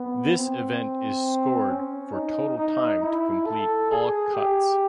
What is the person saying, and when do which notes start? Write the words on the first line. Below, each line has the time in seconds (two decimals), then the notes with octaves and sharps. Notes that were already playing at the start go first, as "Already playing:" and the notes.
This event is scored for total time to complete all cuts.
Already playing: B3
0.37 C4
1.70 C#4
2.13 D#4
2.58 D#4
3.01 E4
3.46 A4
3.91 G#4
4.34 G4